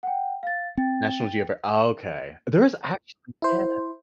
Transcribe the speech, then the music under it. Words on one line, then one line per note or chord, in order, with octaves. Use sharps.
National Geograf okay. There is actually yeah.
F#5 G5
F5 A6
C4 G5 A6
E4 C5